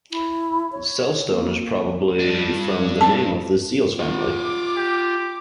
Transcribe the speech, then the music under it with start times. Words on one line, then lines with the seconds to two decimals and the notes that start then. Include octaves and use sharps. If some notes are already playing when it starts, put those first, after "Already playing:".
Zelstone is probably from the name of the Zeals family.
0.11 E4
0.72 C#5
1.28 A#3
2.20 G2 D4
3.01 A5
3.99 F4 F#5 D6
4.77 G4